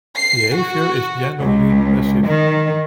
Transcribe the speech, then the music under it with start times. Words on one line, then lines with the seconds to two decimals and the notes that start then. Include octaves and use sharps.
Behavior is generally passive.
0.16 C7
0.57 F#4
1.41 C#2
2.28 D#3